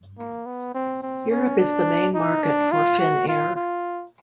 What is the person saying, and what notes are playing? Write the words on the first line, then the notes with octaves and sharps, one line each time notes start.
Europe is the main market for Finnair.
A#3
B3
C4
C4
C#4
D4
D#4
D4
F4
F#4
F4
F4